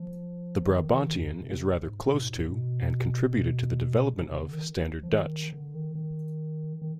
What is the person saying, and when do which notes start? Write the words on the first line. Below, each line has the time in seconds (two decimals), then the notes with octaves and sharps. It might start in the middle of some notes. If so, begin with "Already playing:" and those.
The Brabantian is rather close to and contributed to the development of Standard Dutch.
Already playing: F3
0.69 D3
0.77 D#3
0.92 D#3
1.06 D#3
1.14 G2
1.21 F2
1.42 C3
1.85 G#2
2.07 B2
2.22 G#2
2.35 G#2
2.50 B2
4.14 B2
4.23 C3
4.37 D3
4.52 D#3
5.03 F3
5.09 D#3
5.53 D3
5.74 D#3
5.95 D#3
6.82 D#3